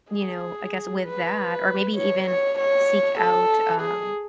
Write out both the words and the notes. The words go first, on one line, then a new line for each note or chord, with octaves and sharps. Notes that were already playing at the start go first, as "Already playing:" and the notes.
you know, I guess with that or maybe even seek out, um,
G#4
B4
C#5
C#5
C#5
A4
G#4